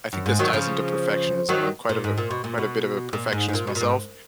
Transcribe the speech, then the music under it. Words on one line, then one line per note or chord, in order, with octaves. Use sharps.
I think this ties into perfectionism. I'm quite of a quite a bit of a perfectionist myself
F#2
G#2
D#3 F#3
C#3 F3
D#3 F#3
A#2
G#2
A#2
B2
A#2
B2
A#2
G#2
G#2
A#2
B2
A#2
G#2